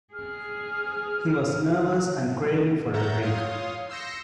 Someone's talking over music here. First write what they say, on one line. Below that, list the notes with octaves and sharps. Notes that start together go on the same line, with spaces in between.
He was nervous and craving for a drink.
G#4 F6
C#5 E5 F#5 A#5 G6 A6
F4 C#5 F5 C6 D#6
C6 E6 G6 A#6 C#7